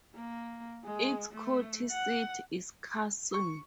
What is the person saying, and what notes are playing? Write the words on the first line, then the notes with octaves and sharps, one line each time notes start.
Its county seat is Carson.
A#3
G#3
A3
F#5
C#6